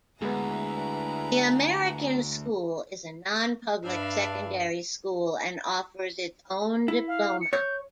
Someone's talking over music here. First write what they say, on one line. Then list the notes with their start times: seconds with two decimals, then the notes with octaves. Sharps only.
The American School is a non-public secondary school and offers its own diploma.
0.22 D2 G#3 B3 D4 E4 G#4 B4 A#5
3.84 G2 D4 E5 F5 B5
6.88 E4
7.08 F5
7.41 C#7
7.53 C#5 G6